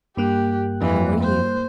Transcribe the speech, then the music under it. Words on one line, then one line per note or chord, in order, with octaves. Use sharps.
"How are you?"
G2 A#3 G4 F#6
F2 E3
C5